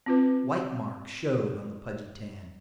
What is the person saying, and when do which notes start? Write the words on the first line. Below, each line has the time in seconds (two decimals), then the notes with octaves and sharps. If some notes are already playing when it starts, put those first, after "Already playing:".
White marks showed on the pudgy tan.
0.06 C4 F4 B4